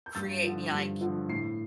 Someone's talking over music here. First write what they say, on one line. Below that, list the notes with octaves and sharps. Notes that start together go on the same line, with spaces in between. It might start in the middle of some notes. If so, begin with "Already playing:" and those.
create you know, like,
G6
G2 A6
D3 F3
G2
D3 F3
A2 C7